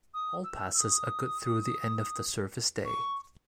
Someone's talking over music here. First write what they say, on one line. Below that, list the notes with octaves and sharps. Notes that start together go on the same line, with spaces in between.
All passes are good through the end of the service day.
D#6
E6
E6
D#6
C#6